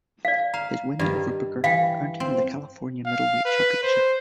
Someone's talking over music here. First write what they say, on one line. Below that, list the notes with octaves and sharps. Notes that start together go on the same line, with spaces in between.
His win over Booker earned him the California Middleweight Championship.
D5 F5
F5 A#5
G2 D#3 D5
E3 F5 G5
C4
F5
B4
C5